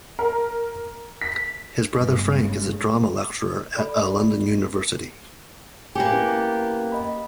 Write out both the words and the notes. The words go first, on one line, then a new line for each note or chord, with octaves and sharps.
His brother, Frank, is a drama lecturer at a London university.
A#4
B6
G1 C#3 G#3
A4 D5 B5
A#3 B3 G4 G#5 C#7
C#4 E4 B4
D#5 B5